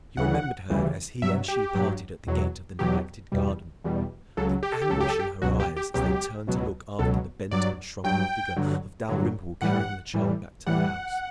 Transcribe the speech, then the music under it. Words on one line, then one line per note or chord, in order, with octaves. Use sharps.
He remembered her as he and she parted at the gate of the neglected garden, the anguish in her eyes as they turned to look after the bent and shrunken figure of Dalrymple carrying the child back to the house.
D2 C#3 E3 G3 F#5
D2 C#3 E3 G3
G2 F#3 E5
G4
G2 F#3
E2 B2 F#3
E2 B2 F#3 G4
E2 B2 G3
E2 B2 G3
C#2 C#3 F#3 A4
G4
A4
G4
C#2 C#3 F#3 A4
G4
A4
G4
C#2 B2 F#3 F#4
G4
G4
C#2 B2 F#3 G4
C#2 B2 F#3
C#2 B2 F#3 A4
G2 F#3 D5
G2 F#3 G5
G2 D3 F#3
G2 D3 F#3
A2 E3 G3 F#5
A2 E3 G3
A2 E3 G3 F#5